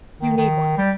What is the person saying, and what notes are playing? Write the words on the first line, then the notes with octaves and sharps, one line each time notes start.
"You need one."
D#3
D#3
G3